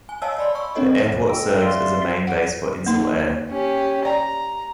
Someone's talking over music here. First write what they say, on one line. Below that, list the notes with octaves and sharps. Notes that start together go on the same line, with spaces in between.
The airport serves as a main base for Insel Air.
G#5
C#5 D#5 F5 G#5 A5 E6
D5 B5 C6
C#6 E6
C4 D4 A4 C#5 D#5
A4 D#5 G5
D5 E5 F5 C6
F#5
A#3 D#4
C#4 G4
D5 A#5